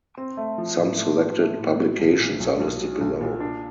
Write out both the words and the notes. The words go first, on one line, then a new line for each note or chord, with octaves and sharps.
Some selected publications are listed below.
C4
A3
F3
A2
A3
F3
A3
A2
F#3
B1
A#2
B1
B1
F#3
B1
A#2
D4